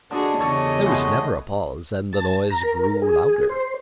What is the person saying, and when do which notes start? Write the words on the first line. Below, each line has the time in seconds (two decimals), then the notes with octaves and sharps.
There was never a pause, and the noise grew louder.
0.11 D3 D4 F#4 G#4 D#5
0.40 E2 C#3 G4 A4 C#5 D#5
0.85 G#3 A3 B3
2.13 A5
2.50 A#5
2.63 A#4
3.02 G#4
3.49 C5